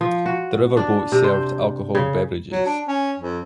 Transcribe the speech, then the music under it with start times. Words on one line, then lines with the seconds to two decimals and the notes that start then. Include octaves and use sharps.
This river boat served alcohol beverages.
0.01 F3
0.26 F#4
0.77 D4
1.12 C3
1.24 C5
1.95 C#3
2.52 F#3
2.66 D4
2.88 C#4
3.19 F2